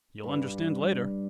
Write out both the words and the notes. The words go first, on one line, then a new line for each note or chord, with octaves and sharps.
You'll understand later....
G2